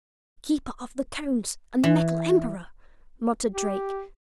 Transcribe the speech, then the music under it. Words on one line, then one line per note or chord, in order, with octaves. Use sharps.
"The Keeper of the Cones and the Metal Emperor!" muttered Drake.
E3
G4